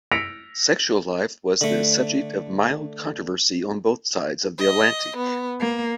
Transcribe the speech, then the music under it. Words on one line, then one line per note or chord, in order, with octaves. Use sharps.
"Sexual Life" was the subject of mild controversy on both sides of the Atlantic.
E6 A#6 B6 C#7 D7 F7
D3 A3
D#5
B3
A#3